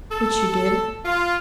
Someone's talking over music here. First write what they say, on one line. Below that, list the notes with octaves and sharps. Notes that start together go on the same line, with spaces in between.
"Which you did?"
A4
F4